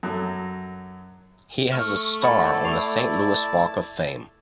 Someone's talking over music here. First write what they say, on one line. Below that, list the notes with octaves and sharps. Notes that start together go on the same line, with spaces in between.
He has a star on the Saint Louis Walk of Fame.
F#2 F#3 A4 A5
A3 C#6 F6
E4 D5 F#5 A5 B5
C7 F7